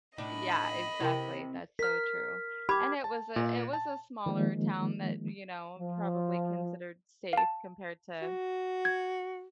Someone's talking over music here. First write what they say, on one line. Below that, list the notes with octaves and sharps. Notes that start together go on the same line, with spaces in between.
Yeah, exactly, that's so true. And it was a it was a smaller town that, you know, probably considered safe compared to
A2 D4 D#4 D#5 B5
C3 E4 A#4 G5
A#4 F6 B6
G4 B5 D6 G#6
A5
A#2
A5
D#3 F3 G#3 A#3
F3
F5 A5
F#4
G#6